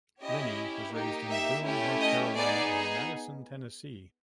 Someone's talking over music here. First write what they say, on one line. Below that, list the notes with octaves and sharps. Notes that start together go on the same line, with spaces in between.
Linney was raised in Boone, North Carolina and Madison, Tennessee.
C#4 E4 G4 D#5
A#3 D#4 G4
E5
A3 C#4 E4 G4
D#5
B3 D#4 G#4 D5